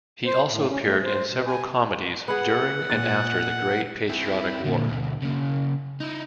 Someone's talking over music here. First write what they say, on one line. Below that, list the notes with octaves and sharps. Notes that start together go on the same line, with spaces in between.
He also appeared in several comedies during and after the Great Patriotic War.
C5
A2
C#4
A3
C5
B2
G#5
B3 G#4 F#5
A#2 A6
C4 E4
A#2 D3
D2 B2
C#3 A#3
D#4 E4